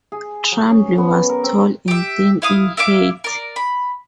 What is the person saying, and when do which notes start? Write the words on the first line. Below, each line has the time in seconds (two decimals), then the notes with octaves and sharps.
Trumble was tall and thin, in height.
0.12 G#4
0.52 F#3
0.71 C#4
0.98 B3
1.29 A#4
1.44 C4
1.88 G4 E5
2.42 E4 F5 D#6
2.77 E4 E5 F5 D6
3.24 A#4 D5
3.56 B5